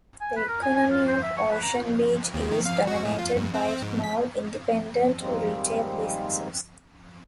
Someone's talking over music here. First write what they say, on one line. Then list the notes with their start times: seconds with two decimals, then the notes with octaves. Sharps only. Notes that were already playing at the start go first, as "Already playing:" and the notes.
The economy of Ocean Beach is dominated by small, independent retail businesses.
0.21 G#5
0.37 B4
0.48 A#4
0.62 G#5
0.76 G#5
0.91 F4
1.08 C5
1.23 E5
1.37 C#6
1.51 B4
1.62 A#5
2.34 D#2
2.51 D#3
2.66 F5
2.87 F#4
3.05 A2
3.19 F4
3.36 G2
3.54 C4
3.69 C4
3.82 G#2
4.04 B6
5.18 D#3 G3 G#3 A#3 C4